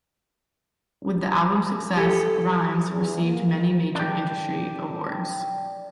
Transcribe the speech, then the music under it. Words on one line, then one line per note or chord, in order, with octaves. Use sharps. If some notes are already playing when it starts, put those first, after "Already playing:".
With the album's success, Rimes received many major industry awards.
G4 A4
E2
A#3
D4 G4